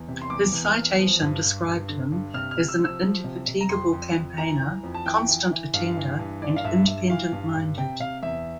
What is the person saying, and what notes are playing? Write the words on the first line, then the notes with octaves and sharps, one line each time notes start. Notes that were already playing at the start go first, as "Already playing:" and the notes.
His citation described him as "an indefatigable campaigner, constant attender and independent-minded".
Already playing: E2
C3
C6
E2 D6
E2
F6
E2
F3
G2
G2
G2
D3
G2
C3 F6
F6
C3
E6
F3
E6
F3
C3
C3
A#5
F2 C6
F2
F2
E3 A#5
E3
F2
A5
E3 G5
E3
E3
G2 F5
E3
G2
E3 D5
F5
G2 E5
G2 E5
E3 F5
G2
G2
C3 G5
C3 F5
E2 E5